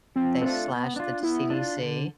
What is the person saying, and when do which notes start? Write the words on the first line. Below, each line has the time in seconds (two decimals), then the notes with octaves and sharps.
they slashed the CDC,
0.16 F3 C4
0.42 A3 D4 F4 A4
0.69 B3
0.96 D4 F4
1.22 B3 E4
1.50 D4 F4
1.77 D3